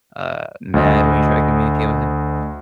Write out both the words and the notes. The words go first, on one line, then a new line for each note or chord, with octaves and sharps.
uh, mad when you try to communicate with him?
D2 D#5